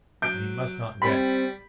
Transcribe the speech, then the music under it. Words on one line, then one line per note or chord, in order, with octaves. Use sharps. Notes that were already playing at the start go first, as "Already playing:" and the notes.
"And he must not guess."
F#3 G6 D7
G3 C4 B5